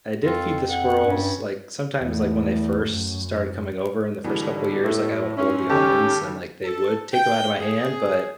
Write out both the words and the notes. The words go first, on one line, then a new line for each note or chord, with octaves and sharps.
I did feed the squirrels, like, sometimes, like, when they first started coming over in the first couple years, like, I would hold the almonds, and, like, they would take them out of my hand, but
F2 F4 A4
F#5
G2 C#4
E2 A3
F#2
G#2 B2 D3 E3 F#3 G3
A2
G#2 C#4 E4
D#2 C#3 G4 A4
A4
G5
G#4